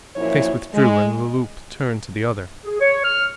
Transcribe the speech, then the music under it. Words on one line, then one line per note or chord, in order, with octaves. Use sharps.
The face withdrew and Le Loup turned to the other.
F#2 A#2 F3 E4 C#5
G#3
G#4
C#5
F6